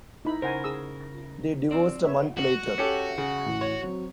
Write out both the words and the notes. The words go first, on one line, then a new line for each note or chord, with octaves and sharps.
They divorced a month later.
D#4 E4 B5
C#3 A#4 C5 F#5 G#5
G#4 D#6 E6
C4 D5
B4 C#5 E5
F#4
C#4 G4 A4 C#7
C#3
A1 E3
C#5
F#3 C4